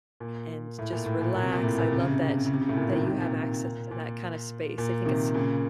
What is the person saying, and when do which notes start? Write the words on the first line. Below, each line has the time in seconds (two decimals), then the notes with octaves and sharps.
and just relax, I love that that you have access to that kinda space, I think it's
0.20 A#2
0.79 A2
0.92 A#2
1.06 A2
1.21 A#2
1.35 A#2
1.43 C3
1.52 A#2
1.63 A2
1.78 A#2
1.93 C3
2.00 C#3
2.07 C3
2.15 C#3
2.23 C3
2.31 C#3
2.38 C3
2.46 C#3
2.54 C3
2.61 C#3
2.69 A2 C3
2.77 A#2 C#3
2.91 C3 D#3
3.06 C3 D#3
3.20 A#2
3.91 A#2
4.78 A#2
5.05 C3 D#3
5.34 A#2 C#3